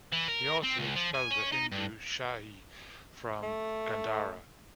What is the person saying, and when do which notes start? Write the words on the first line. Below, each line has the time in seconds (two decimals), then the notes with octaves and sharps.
He also expelled the Hindu Shahi from Gandhara.
0.12 E3
0.28 A#4
0.63 C4
0.79 C#2
0.95 F3
1.14 G#5
1.31 C#4
1.52 D#4
1.72 G2
3.43 A3